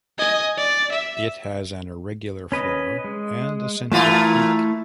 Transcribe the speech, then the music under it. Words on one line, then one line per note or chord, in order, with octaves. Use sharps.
It has an irregular floor and a central peak.
D#5 G#5
D5
E5
C#4 B4 D#5
G#3
A#2 E3 A3 E4 F4 A4